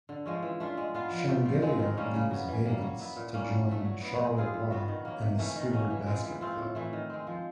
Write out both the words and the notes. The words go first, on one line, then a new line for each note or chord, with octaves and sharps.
Shengelia leaves Valence to join Charleroi and the Spirou Basket Club.
D3
F3 G#3 C#4
E3
A3 D4 F4
G#3
B3 D4 F4
F3
A3 D4 G4
F3
G#3 C4 D#4
D#3
G3 A#3 C#4
C#3
F#3 B3
E3
G3 A#3
F#3
B3 E4
A#2
G3 A#3 C#4
F#3
A3 D4
F#3
B3 E4
G#3
C4 F4 G#4
G3
B3 D4 F#4
D#3
F#3 A#3
C3
E3 A3 C#4
D#3
F#3 A#3 C#4
E3
G#3 C4 F4
E3
A3 C4 F4
A2
E3 A3
D#3
G#3 C4
F3